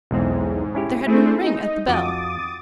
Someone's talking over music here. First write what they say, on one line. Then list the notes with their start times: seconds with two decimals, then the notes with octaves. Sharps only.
There had been a ring at the bell.
0.11 B1 E2 G#2 C4
0.75 C#4 E4 G4
1.07 A3 C4 E4 G#4
1.42 D#4
1.88 F2 F#4 D6 D#6 A6